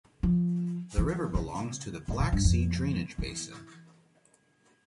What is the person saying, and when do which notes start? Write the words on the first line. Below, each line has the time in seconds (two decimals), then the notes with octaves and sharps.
The river belongs to the Black Sea drainage basin.
0.23 F3
0.98 E3
1.35 C#3
2.08 A2
2.20 A#2
2.33 G2
2.44 F2
3.18 E3